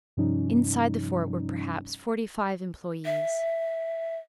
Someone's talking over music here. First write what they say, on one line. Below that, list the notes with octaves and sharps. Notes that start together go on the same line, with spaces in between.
Inside the fort were perhaps forty-five employees.
G2 C3 F3 G3 C#4 D#4
E5